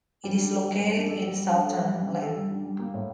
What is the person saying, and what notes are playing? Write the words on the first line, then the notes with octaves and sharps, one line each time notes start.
It is located in Sutherland.
G3
D4
A4
G3
G3
D4
A4
G3
G3
D4
A4
G3
G3
D4
A4
G3
D4
G3
A#3
A2